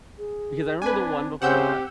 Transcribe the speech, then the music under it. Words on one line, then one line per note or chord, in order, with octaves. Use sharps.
Because I remember the one before that.
G#4
C4 D4 B4 G#5
C#3 C4 C#4 G4 C5 F#5 E6 G6